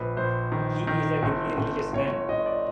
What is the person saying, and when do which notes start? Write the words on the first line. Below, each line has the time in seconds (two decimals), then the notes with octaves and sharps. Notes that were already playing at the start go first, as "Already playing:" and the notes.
He is a deeply religious man.
Already playing: A#1 B4
0.17 A#1 C5
0.52 D#3
0.87 D#3
1.23 G1
1.58 G1
1.93 G1 C#5
2.29 G1 D#5
2.46 D5